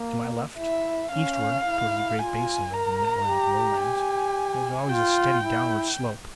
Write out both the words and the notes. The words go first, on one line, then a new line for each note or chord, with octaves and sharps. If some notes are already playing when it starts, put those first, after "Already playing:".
To my left, eastward toward the great basin of the mid-Atlantic Lowlands, there was always a steady downward slope.
Already playing: A#3
E4 E5
C#4 F5
E4
F4 G#5
A#4 A#5
G4
G#5
F4 G5
E4